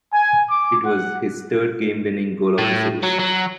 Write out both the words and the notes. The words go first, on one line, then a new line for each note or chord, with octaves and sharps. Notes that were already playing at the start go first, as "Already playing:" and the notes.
It was his third game-winning goal of the series.
G#5
D6
F#5
A2
F#3
F#3